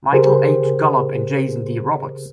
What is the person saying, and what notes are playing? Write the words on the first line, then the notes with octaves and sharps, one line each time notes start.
Michael H Gollob and Jason D Roberts.
C#3 G4 G#4 A#4 C5